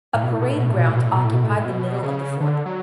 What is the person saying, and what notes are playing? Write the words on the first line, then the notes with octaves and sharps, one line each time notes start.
A parade ground occupied the middle of the fort.
A2
B2
A2
B2
A2
B2
A2
B2
A2
B2
A2
B2
A2
B2
A2
A2
B2
C#3
D3
F#3